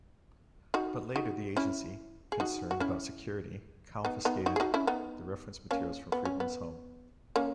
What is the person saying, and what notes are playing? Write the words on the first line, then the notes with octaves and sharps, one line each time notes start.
But later the Agency, concerned about security, confiscated the reference materials from Friedman's home.
D#4 F#4
D#4 F#4
C#4 E4
G#4
D#4 F#4
F#4
C#4 E4
B3 D#4
B3 D#4
D#4 F#4
G#4
D#4 F#4
C#4 E4
B3 D#4
A#3 C#4
B3
C#4
B3
A#3 C#4